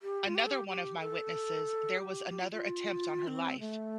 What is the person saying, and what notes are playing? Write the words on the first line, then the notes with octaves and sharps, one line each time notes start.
Another one of my witnesses, there was another attempt on her life.
G4
F4
G4
A4
G4
G4
A4
G4
G4
F4
F4
C4
A3